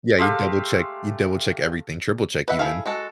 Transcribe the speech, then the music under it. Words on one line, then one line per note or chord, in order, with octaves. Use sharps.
Yeah, you double check you double check everything, triple check even.
G#3 A3 G4 F5
B4 D#5 E5 F#5
E4 G#4 A4 E5 F5
G#3 F#4 A4